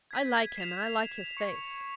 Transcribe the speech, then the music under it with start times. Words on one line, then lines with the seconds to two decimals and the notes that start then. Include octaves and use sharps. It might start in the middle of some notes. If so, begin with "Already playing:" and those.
"I like him, and I like his face."
0.11 G#6 B6 D#7
0.55 C7 E7 F7
1.37 C#6 C#7